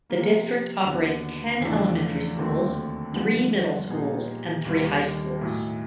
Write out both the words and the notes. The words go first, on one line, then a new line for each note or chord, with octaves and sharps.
The district operates ten Elementary Schools, three Middle Schools and three High Schools.
C3 F3 A#3
D#2 D3 F#3 B3
E2 C#3 F3 A3 D4
D#2 D3 F#3 A3 C4
G2 D3 F3 G#3 B3
A#2 G3 B3 D#4 G#4
D#2 D#3 G3 A#3
B1 A2 F#3